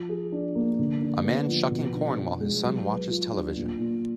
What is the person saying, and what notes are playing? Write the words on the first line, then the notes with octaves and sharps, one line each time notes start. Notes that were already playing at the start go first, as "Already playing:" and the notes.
A man shucking corn while his son watches television.
Already playing: F3
G#4
D4
A#3
D3
D4
B3
F3
B2
D4
B3
G#3
F#3
B4
F4
D4
A#2
A#2